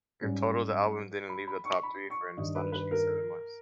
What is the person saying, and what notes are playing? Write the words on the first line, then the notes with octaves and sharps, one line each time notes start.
In total, the album didn't leave the top three for an astonishing seven months.
G#2 G3 C#4
B5
B5
C#6
B5
C#6
G2 D#3 G3 D#5
B4
B4
A#4